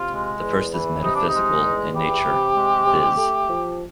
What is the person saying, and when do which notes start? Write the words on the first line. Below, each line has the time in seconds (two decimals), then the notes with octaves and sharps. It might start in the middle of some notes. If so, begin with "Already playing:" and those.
The first is metaphysical in nature, "viz".
Already playing: C3 F4
0.12 G#3
0.42 E2
0.72 E3
1.03 C3 D#4
1.14 D4
1.27 D#4
1.34 G#3
1.64 E2
1.94 E3 G4
2.25 C3
2.55 G#3
2.86 C3
3.17 A3
3.47 F3